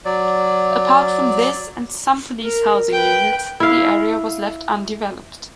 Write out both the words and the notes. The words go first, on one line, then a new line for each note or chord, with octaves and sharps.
Apart from this and some police housing units, the area was left undeveloped.
F#3 D5
A#4
B4 G5
E4 F5